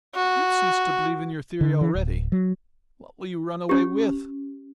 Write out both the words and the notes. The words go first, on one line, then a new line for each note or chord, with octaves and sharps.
But you've ceased to believe in your theory already, what will you run away with?
F#4
D3
E3
D1
F#3
C#4 G4